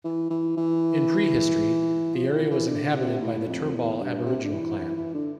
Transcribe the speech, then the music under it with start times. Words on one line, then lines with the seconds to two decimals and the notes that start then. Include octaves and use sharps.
In prehistory, the area was inhabited by the Turrbal Aboriginal clan.
0.04 E3
0.30 E3
0.57 E3
2.15 F3
2.33 E3
2.51 E3
2.68 D3
2.95 C3
3.21 A2
3.47 F2
3.73 E2
4.01 G2
4.26 C3
4.44 D3
4.52 E3
4.79 E3
4.97 E3
5.14 D3